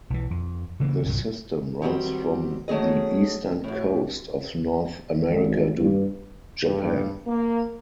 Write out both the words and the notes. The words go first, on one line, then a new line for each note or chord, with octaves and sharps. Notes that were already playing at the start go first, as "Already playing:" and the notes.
The system runs from the eastern coast of North America to Japan.
B1 E3
F2
C#3 E3 A#3
C2 G2 A#2 F#3
D#3 F#3 G3 A3 C4
F#3 A3 C#4 G#4 D#5
F#2 A2
G#1
G2
G2
A#3